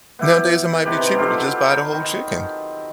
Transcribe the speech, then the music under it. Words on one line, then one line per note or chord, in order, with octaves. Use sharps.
nowadays it might be cheaper to just buy the whole chicken.
B3 E4 G4
C3 D#3 G4 B4
F#3 F4 G4 A4
D#3